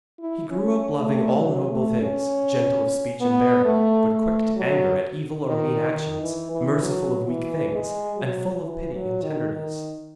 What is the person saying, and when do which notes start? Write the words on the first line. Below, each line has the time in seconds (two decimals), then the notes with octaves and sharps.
He grew up loving all noble things, gentle of speech and bearing, but quick to anger at evil or mean actions, merciful of weak things, and full of pity and tenderness.
0.20 E4
0.50 C#4
0.96 A3
1.40 F#3
1.70 A3
2.01 C#4
3.21 B3
3.65 A3
4.11 A3
4.57 F#3
5.47 D#3
5.91 D#3
6.22 E3
6.52 E3
6.82 F#3
7.27 E3
7.72 G#3
8.18 F#3
8.63 E3
8.93 F#3
9.22 D#3
9.52 D#3